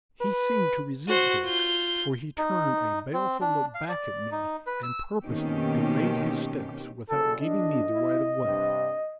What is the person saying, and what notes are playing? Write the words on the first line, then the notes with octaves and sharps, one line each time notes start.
He seemed to resent this, for he turned a baleful look back at me and purposely delayed his steps without giving me the right of way.
B4
F#4 C5
F4 G6
D#4
C4
D4
F5
D5
D#4
B4
E6
B2 D#3 A#3 C4 C#4 G4
F#1 A4
A1 E2 D4 D#5
E4
G2 C3